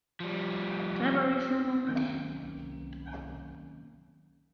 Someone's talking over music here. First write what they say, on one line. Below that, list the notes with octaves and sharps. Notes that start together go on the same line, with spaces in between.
Can I borrow you for a moment?
F3 G3
D#3 F#3 A#3 C4 C#4